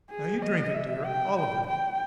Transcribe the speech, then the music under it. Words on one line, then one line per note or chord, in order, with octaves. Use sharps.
"Now you drink it, dear; all of it."
G#4
D#5
E5
G5
G5
G5